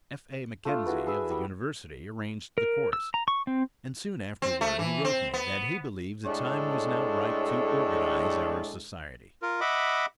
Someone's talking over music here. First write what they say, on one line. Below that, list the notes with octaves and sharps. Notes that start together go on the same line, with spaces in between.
F. A. McKenzie of the university arranged the course, and soon afterward he wrote me that he believed the time was now ripe to organize our society.
A3 D4 F4
E4 F#4 G#4 B4
G#4 B4 E5 G#5
G3
A#4
E6
A#5
C#6
C4
C4
A3
E3
C4
B3
A2 G#3 D4 A4 C#5
F4 A#4
D#5 E5 F#5 B5 D6